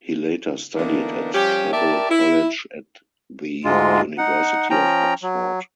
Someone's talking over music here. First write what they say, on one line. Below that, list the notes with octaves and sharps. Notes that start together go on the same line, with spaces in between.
He later studied at Keble College at the University of Oxford.
D3 E3 A#3 B3 D4 D#4
F3 G3 C#4 G4
G4 A#4 D5 E5 A5
E4
D2 G#2 G#3 F4
D#4 F#5
F3 C#4 G5 A#5
F#3